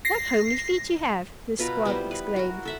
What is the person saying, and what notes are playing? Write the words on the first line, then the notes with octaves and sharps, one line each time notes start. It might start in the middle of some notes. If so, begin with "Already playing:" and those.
"What homely feet you have!" this Squab exclaimed.
A#6 C7
B2 F4 A#4 B4
G3 B3 E4 C5
B4
F#4 A#4
A4 E5 F#5